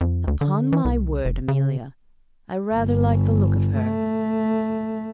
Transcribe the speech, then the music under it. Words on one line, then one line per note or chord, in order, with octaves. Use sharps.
'Upon my word, Amelia, I rather like the look of her.
F2
D2
D3
E3
C2
F1
C#3
G1
A3